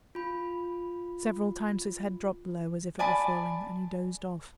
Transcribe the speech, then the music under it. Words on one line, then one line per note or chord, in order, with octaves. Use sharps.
Several times his head dropped low as if it were falling and he dozed off.
F4 B5
D5 G#5 A5 B5